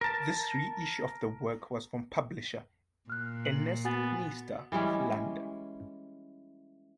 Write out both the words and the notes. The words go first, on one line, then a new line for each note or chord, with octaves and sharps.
This reissue of the work was from publisher Ernest Nister of London.
A#4 A5
A#2 F6 F#6
F#7
B3 F#4 G#5 A6
E3 G3 G#3 C#4